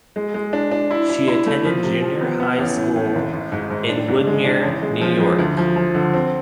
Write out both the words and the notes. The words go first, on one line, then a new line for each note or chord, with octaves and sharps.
She attended junior high school in Woodmere, New York.
G#3
G#3
D4
D4
E4
E4
E4
A3
F3
C3
F3
B3
B3
A1
A2
A2
G#1
G#1
G#2
G#2
D4
G#2
G#3
D4
A1
G#3
F3
G#3
D2
F3
F3
D3
C4